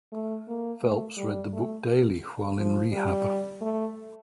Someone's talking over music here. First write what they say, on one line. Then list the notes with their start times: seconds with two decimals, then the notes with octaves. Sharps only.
Phelps read the book daily while in rehab.
0.12 A3
0.48 A#3
0.82 A3
1.17 G3
1.53 A3
2.57 F3
2.92 G3
3.61 A3